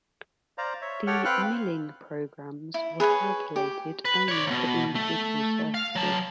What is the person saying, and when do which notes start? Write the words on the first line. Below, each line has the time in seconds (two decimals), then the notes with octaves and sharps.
The milling programs were calculated only for individual surfaces.
0.58 C5 D5 F5 A#5
0.81 C#5 E5
1.07 G4 A4 C#5 F#5 G5 F6
1.25 C4 B4 F5 G5 F6 F#6
2.74 E4
3.00 G#4 B4 C#5 G#5
3.56 G4
4.05 B4
4.28 C#5 D5
4.47 D#2 B2
4.95 A3
5.74 F5
5.96 F#3 A5